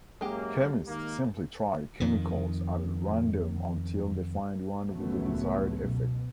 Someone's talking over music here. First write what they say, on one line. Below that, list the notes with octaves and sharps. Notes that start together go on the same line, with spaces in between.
Chemists simply try chemicals at random until they find one with the desired effect.
F#2 G#3 A#3 G4
D#3 A#3
F2 D#3
C#2 F#2 A2 F#3 A3 B3
B2